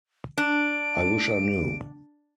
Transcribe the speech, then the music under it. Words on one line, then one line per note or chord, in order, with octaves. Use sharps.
I wish I knew.
D4 D7